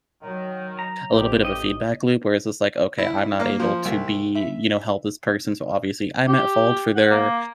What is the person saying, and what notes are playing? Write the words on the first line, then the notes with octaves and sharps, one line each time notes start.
a little bit of a feedback loop, where it's just like, "Okay, I'm not able to be" you know, "help this person, so, obviously, I'm at fault for their
D#3 F#3
A#5
A1 F2 G4
D#5
E4
A#3
F3
C2
E5
G4
F#5
A#3